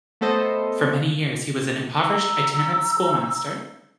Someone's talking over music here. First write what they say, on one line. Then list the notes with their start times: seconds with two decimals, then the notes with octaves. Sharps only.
For many years he was an impoverished, itinerant schoolmaster.
0.21 A3 B3 A4 C5 D#5
2.00 A#5 E6